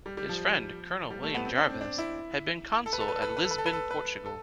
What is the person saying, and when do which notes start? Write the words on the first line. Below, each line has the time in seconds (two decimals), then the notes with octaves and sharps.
His friend, Colonel William Jarvis, had been consul at Lisbon, Portugal.
0.06 G3
0.17 G3
0.29 F3
1.11 G3
1.23 A3
1.34 B3
1.46 C4
1.57 D4
1.70 C4
1.81 D4
1.98 E4
2.86 A4
2.93 B4
3.01 A4
3.08 B4
3.15 A4
3.22 B4
3.29 A4
3.37 B4
3.44 A4
3.51 B4
3.58 A4
3.66 B4
3.73 A4
3.91 B4
4.26 A4